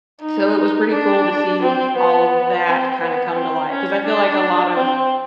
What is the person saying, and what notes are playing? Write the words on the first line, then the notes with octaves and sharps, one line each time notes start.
So, it was pretty cool to see all of that kinda come to life, 'cause I feel like a lot of
D#4
D4
C4
B3
C4
B3
C4
C#4
D4
C4